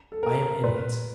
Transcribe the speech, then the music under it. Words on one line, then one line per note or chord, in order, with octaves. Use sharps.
I am in it.
A4
A#4
A#2 B4